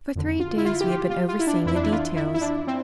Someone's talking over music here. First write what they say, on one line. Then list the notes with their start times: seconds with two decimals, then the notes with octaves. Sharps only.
For three days we had been overseeing the details.
0.16 F2 D3
0.40 F4
0.57 E4
0.65 F4
0.81 G4
0.91 F4
1.10 F4
1.29 F4
1.40 E4
1.47 D4
1.66 F2 E3 E4
1.75 D4
1.83 E4
1.92 F4
2.16 E4
2.34 E4
2.41 D4
2.67 C4